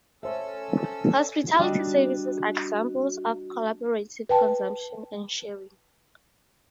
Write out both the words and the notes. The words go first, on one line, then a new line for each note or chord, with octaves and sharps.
Hospitality services are examples of collaborative consumption and sharing.
C#4 A4 C5 E5 E6
G3 D4 F#4 D#5
B4 G5 A5